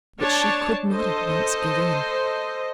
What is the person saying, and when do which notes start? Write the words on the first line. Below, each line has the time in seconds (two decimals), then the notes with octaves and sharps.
But she could not at once give in.
0.18 D4 C#5 A5
0.90 A4 C5 D#5